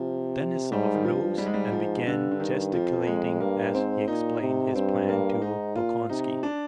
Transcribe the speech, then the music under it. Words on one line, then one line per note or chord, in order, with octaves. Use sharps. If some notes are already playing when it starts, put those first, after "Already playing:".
Denisov rose and began gesticulating as he explained his plan to Bolkonski.
Already playing: C3 F3
G#2 G3
D#3
G2 F3
G#2 G3
G#3
G3
F3
G2 D3
D3
D#3
F2 F3
G#3
G2 A#3
G#2 C4
A#2 D#4
C3
G2 C4
A#3
G#2 D#4
A#2 F4
C3 D#4
D4